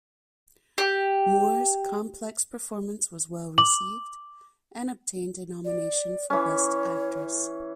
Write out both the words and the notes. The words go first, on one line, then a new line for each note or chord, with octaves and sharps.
Moore's complex performance was well-received and obtained a nomination for Best Actress.
G4
D6 F#7
D5
E3 C#4 C#5